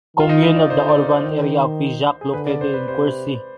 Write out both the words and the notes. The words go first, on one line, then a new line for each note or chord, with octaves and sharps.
Commune of the urban area of Figeac located in Quercy.
D#3 F4
D#4
D#4
D5
D3 C5
D5
C5
D#3
G#4
D3 B4
D5
C5
B4
C3 C5